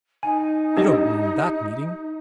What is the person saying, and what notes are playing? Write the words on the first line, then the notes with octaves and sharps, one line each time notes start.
You don't mean that meeting?
D#4 G#5
D4 G4 D#5